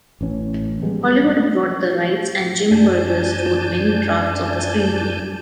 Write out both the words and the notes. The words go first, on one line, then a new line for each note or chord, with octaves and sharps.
Hollywood brought the rights and Jim Fergus wrote many drafts of the screenplay.
A1 E3 C#4
F3 G3 G#3 B3
F#2 D4 G#5 A5 G6